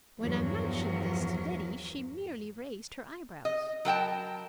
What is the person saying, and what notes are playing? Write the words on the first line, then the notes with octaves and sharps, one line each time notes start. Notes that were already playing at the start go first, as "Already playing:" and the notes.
When I mentioned this to Liddy she merely raised her eyebrows.
E2 G2 F3 F#3 A#4
D#5
F#3 A#4 G5 A5